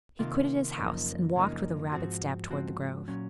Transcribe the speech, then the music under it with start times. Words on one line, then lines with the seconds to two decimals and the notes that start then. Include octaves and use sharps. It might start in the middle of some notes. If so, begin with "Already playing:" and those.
He quitted his house, and walked with a rapid step toward the Grove.
0.19 C3 D#3 A#3 F4
0.78 F#2 C#3 F3 A#3 D#4
1.36 F#2 C#3 F3 A#3 D#4
1.92 G#2 F3 C4 F#4
2.50 G#2 F3 C4 F#4
3.08 A#2 F#3 C#4